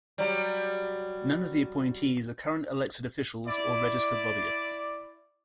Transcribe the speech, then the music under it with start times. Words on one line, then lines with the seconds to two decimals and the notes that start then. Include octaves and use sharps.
None of the appointees are current elected officials or registered lobbyists.
0.18 F#3 G3
3.47 E4 D5